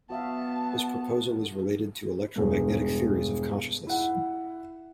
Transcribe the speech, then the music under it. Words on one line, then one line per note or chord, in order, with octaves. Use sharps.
This proposal is related to electromagnetic theories of consciousness.
B3 F#4 E5 F5 A5
E1 G2
E4 F#5